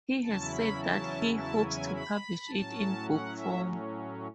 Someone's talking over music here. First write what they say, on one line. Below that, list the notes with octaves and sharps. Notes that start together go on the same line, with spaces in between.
He has said that he hopes to publish it in book form.
E2 C#3 F#3 C#4 E4 A5
B5
A5
A5
G#5
B5
A2 F#3 C#4 A5
F#5
E5